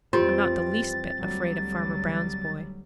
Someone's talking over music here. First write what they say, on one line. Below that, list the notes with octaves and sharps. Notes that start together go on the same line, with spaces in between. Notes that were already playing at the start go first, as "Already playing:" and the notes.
I'm not the least bit afraid of Farmer Brown's boy.
F2 E3 G3 C4 F4 G4 A6
D2 F#3 G3